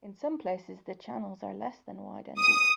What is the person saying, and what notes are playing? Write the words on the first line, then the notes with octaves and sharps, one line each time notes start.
In some places the channels are less than wide and deep.
D#6